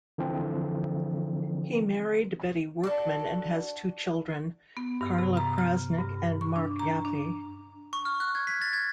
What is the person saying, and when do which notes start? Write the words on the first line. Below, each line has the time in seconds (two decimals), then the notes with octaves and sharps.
He married Betty Workman and has two children: Carla Krasnick, and Mark Yaffe.
0.18 D3 E3 F3 C4
2.83 D4 F#4 A4
4.77 B3
5.01 G2
5.19 C3
5.37 A#5
5.58 F6
5.99 G2
6.41 C#6
6.56 D4
6.79 A#5
7.05 D4
7.93 C#6
8.05 F6
8.20 F#6
8.35 G#6
8.47 B6
8.62 A6
8.73 G#6